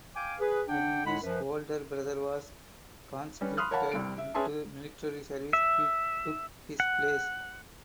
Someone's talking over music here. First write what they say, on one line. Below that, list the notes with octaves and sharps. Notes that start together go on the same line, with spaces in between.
When his older brother was conscripted into the military service he took his place.
F5 G5 G#5 D6
G#4 B4
D4 F#5 G5
A2 G#3 E4 F#5 B5
F#2 F3 B4
G3 C#4 B4
B5 C6 D#6 F6 F#6
A#4 C#5 F5 F#5 A5 B5
C2 G3 D7
E5
C#4 G#4 B4 E5 A5 C6
E5
F#5